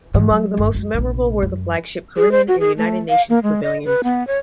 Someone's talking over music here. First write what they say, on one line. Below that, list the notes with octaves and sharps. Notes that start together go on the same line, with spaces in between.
Among the most memorable were the flagship Korean and United Nations Pavilions.
G#2 E3
F#3
G1
F#2 G#3
A#1 C3
F#2
G#4
C5
F#4
G#4
A3
F5
A#3
G#3
D#5
B4
B3
C#5